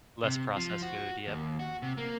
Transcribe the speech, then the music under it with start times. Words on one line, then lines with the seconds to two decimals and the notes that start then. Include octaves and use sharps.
Less processed food. Yep.
0.23 C3
0.56 F3
0.83 F#4
1.27 D#2
1.59 F#4
1.82 C3
1.98 A#3